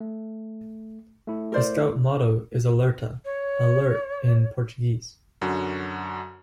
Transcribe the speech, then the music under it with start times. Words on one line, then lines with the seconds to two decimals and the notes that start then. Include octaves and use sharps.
The Scout Motto is "Alerta", "Alert" in Portuguese.
0.01 A3
1.27 A3 E4
1.52 A#4 C5 D5
3.25 C#5
5.42 F#2 D3 F#4